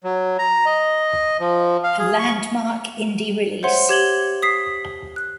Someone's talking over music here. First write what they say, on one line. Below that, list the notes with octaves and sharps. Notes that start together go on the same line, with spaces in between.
A landmark indie release.
F#3
A#5
D#5
F3
F5
G#4
C#6
C5 C#5 E5 F#5 C6
G4 G#6 F#7 G7
G#6
D#6 B6 C7
F#6